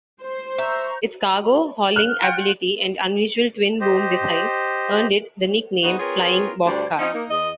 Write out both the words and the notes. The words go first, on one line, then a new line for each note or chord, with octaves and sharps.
Its cargo-hauling ability and unusual twin-boom design earned it the nickname "Flying Boxcar".
C5
E5 A#5 C#6 G6
F6 F#6
F4 F#5 G5
G4 C5 D#5
B3 D#4 F#4 G#4 C5
C4 F4 G#4 A#4 B4 C#5
D2 G2 D4 C5 D5
F3 C4 C#4 D#4
A#3 D#4
E2 D#5